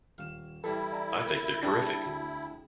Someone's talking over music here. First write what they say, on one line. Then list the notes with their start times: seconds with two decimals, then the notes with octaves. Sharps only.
I think they're terrific.
0.18 D#1 F5 E7
0.64 E3 G3 E4 A4 B6
0.92 D5 E5 A#5
1.26 A#3
1.63 G3 C4 D4 G#4 B4 A5
2.06 D2